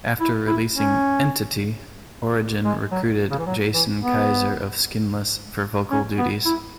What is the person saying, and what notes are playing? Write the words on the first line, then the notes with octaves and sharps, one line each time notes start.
After releasing "Entity", Origin recruited Jason Keyser of Skinless for vocal duties.
E4
E4
C#4
G#3
F#3
C#3
E3
F#3
E3
B3
C#4
B3
E4